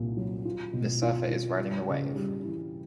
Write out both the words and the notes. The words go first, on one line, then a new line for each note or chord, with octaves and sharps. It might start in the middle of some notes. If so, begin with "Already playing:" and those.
The surfer is riding the wave.
Already playing: C2 A#2
F#3
F4
B2
F4
F4
G3
C#3
G3
E3